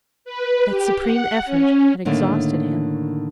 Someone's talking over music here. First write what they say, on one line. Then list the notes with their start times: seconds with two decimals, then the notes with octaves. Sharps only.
That supreme effort had exhausted him.
0.25 B4
0.68 G4
1.02 F#5
1.45 C#4
2.05 A2 D3 D#3 A3 A#3